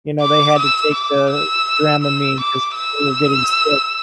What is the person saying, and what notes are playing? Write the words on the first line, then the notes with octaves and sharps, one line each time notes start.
you know, they had to take the Dramamine, 'cause they were getting sick.
D6
E6
D6
E6
E6
D6
E6